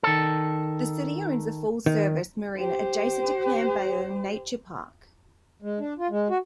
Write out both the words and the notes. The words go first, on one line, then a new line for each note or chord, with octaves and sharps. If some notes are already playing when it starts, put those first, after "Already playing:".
The city owns a full-service marina adjacent to Clam Bayou Nature Park.
D#3 A4
D#3
G4 C5
G#3
D4
F4
G#3
F#4